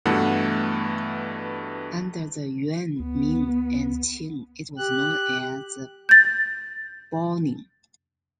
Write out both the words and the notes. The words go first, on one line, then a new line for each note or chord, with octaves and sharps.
Under the Yuan, Ming, and Qing, it was known as Baoning.
G2 B2 E3 A3 F#5
D2 B3
G4 F#6
G6 A6